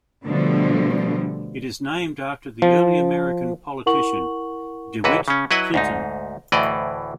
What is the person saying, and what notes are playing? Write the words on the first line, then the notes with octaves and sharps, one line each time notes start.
It is named after early American politician DeWitt Clinton.
B2 D3 F3 G3 A3
F3
E4 A#4 F#5 C#6 F#7
C#2 G#2 E3 F#4 B4
C#3 C#4
F#3 E4 B4 D#5 F#5 G#5
D2 G#2 D#4
D2 A2 E3 D5 D#5